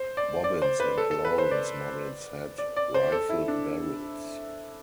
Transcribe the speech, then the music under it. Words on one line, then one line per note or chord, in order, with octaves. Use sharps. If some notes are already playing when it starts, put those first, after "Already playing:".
Bobbins and Lawrence models had rifled barrels.
Already playing: C5
D5
D5
C5
B4
A4
A4
B4
C5
D5
D5
D5
C5
A4
E4
D4